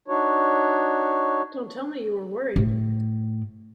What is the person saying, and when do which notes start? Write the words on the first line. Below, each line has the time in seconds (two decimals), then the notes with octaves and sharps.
Don't tell me you were worried!
0.08 D4 D#4 F#4 C#5
2.56 A2